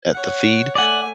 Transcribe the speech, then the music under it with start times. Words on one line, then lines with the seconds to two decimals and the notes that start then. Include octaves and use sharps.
a at the feed,
0.12 C#5 F#5
0.75 A3 D5 F#5 G#5